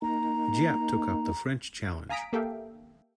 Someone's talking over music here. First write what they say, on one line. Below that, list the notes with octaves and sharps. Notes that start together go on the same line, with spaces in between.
Giap took up the French challenge.
A#3 D#4 A#5
F5 G#5 A#5 D#6 B6 D7
A#3 G4 A4 E5 F5 G5